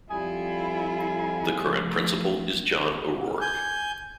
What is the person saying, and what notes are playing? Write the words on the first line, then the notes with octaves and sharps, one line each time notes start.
The current principal is John O'Rourke.
F2 G3 E4 F4 G#5
F3 A3
G#5 G6